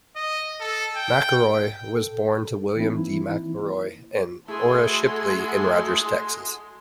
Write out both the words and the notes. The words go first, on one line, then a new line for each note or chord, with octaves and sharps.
McElroy was born to William D. McElroy and Ora Shipley in Rogers, Texas.
D#5
A4
G5
A4
E3 A#3 C4 D#4 E4
G#3 A3 E4 F#4 G#4 A4 C6